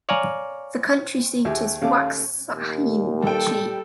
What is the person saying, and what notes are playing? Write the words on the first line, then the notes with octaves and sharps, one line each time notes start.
The county seat is Waxahachie.
C#5 D5 F5 G#5 A#5
D#2 G4 G#4 E5
D#2 A3 C#4 A4 F5 D6
D#2
G3 A4 G5